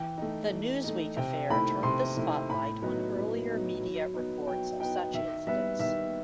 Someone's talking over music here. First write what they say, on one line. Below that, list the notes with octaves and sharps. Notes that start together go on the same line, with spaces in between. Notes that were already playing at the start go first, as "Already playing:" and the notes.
The "Newsweek" affair turned the spotlight on earlier media reports of such incidents.
Already playing: E3 G5
A3 D#4
E3
A3 D#4
C3 G5
D#3 A3 E4 B5
C3 C6
D#3 A3 E4
A2 B5
F#3 B3 D#4
A2
F#3 B3 D#4
F#3
B3 D#4
F#3 G5
B3 D#4 G5
D#3 E5
G3 B3 E5
D#3 E5